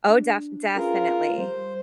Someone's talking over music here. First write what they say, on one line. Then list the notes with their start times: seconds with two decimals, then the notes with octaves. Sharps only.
Oh, def definitely.
0.10 D4
0.76 C#4 F4 G#4 A#4 B4
1.38 G3 C5